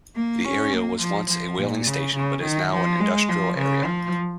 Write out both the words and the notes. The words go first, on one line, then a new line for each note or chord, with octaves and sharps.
The area was once a whaling station, but is now an industrial area.
A#3
C#4
A#3
F3
F3
A#2
C#3
C#3
D#3
F3
G#3
F3
C#3
F3